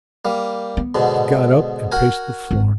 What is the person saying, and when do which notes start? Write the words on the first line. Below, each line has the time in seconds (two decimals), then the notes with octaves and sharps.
He got up and paced the floor.
0.25 G3 A#3
0.77 B3
0.95 G#2 B2 D3
1.92 F#4 A#4 G#5
2.51 G#1